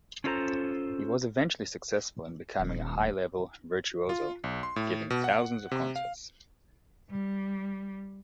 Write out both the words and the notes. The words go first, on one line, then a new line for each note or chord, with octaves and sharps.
He was eventually successful in becoming a high-level virtuoso, giving thousands of concerts.
C#4 D4 F4 A4 C5 A#5
D#1
F4
B1
C6
A2
B2
F#5
C3
F5
G3